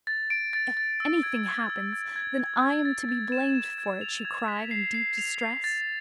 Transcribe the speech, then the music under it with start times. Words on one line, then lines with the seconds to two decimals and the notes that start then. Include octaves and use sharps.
"If anything happens, then, I am to be blamed for it," she cried in deep distress.
0.07 A6
0.30 D7
0.53 A6
0.77 A6
1.00 E6
1.23 G#6
1.46 G#6
1.70 E6
1.93 G#6
2.16 G#6
2.39 G#6
2.63 G#6
2.85 A6
3.09 A6
3.32 E7
3.55 E7
3.78 G#6
4.01 F7
4.25 G#6
4.48 B6
4.71 C7
4.94 C7
5.18 F7
5.41 C7
5.64 A6